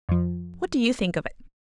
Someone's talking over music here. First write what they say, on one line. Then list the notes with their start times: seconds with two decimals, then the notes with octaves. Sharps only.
What do you think of it?'
0.09 F2 F3